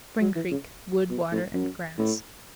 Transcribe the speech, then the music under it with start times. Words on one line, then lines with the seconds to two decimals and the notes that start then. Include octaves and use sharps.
Spring Creek.--Wood, water, and grass.
0.21 F#3
0.36 E3
0.51 C#3
1.10 B2
1.32 A2
1.54 F#2
1.98 A2